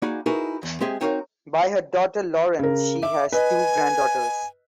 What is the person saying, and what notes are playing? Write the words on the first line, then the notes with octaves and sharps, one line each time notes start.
By her daughter Lauren she has two granddaughters.
A#3 D#4 F#4 G#4 D5 B5
D#4 E4 F#4 G#4 A#4 B4
E2
G#3 C4 G4 G#4 E5
C4 D#4 F#4 A#4 C#5 F5
C#3 A#4
E5 D6
B4 D#5 G#5